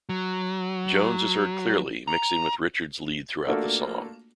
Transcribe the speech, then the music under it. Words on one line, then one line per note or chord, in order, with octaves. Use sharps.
Jones is heard clearly, mixing with Richards's lead throughout the song.
F#3
A#5
A3 A#3 D4 F4 F#4 A4